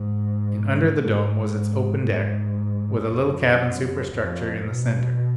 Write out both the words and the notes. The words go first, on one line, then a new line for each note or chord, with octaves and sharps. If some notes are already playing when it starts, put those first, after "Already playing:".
And under the dome was its open deck with a little cabin superstructure in the center.
Already playing: G#2
G#2
G#2
F#2
F2
B2